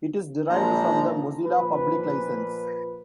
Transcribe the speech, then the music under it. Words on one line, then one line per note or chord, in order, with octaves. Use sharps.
It is derived from the Mozilla Public License.
A#1 F3 G#3 A#5
A#2 F3 B4